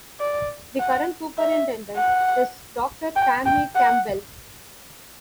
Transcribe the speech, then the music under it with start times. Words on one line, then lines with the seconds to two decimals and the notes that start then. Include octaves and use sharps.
The current Superintendent is Doctor Tammy Campbell.
0.20 D5
0.79 F#5
1.38 E5
1.97 F#5
3.16 G5
3.46 G5
3.76 F#5